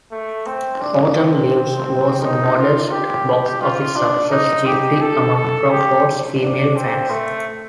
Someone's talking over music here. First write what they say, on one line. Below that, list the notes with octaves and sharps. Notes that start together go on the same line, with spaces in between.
"Autumn Leaves" was a modest box-office success, chiefly among Crawford's female fans.
A3
C4
D4
C4
D#4
F4
G4
F4
D4
D#4
G4
A4
A4
G4
D4
C4
A3